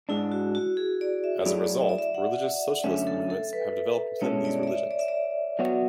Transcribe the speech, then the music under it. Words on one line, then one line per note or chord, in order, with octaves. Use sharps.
As a result, religious socialist movements have developed within these religions.
G#2 G#3 D4 E4
F#4
F#4
G#4
D5
E5
F#3 A3 E4 G#4 C#5 D5
D5
E5
D5
E5
F#5
F#2 D3 A3 C#4 E5
A4
A4
B4
B2 G#3 C#4 E4 A4 C#5
D5
D5
E5
D5
E5
D5
F#3 B3 F#4 C#5